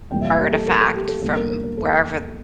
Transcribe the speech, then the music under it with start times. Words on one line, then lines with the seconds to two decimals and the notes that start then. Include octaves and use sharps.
artifact from wherever
0.11 F1 F2 E3 G3 A#3 G5
0.21 E5
0.25 F5
0.39 G4
0.52 A4
0.66 A#4
0.80 A4
0.94 G4
1.08 A4
1.22 E2 D3 G3 A#3 A4
1.36 A#4
1.50 A#4
1.63 A#4
1.77 A4